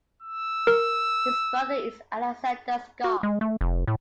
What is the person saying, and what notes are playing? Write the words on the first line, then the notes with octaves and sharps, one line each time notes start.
His brother is Alexander Scott.
E6
A#4
F#4
G#3
A3
F1
A2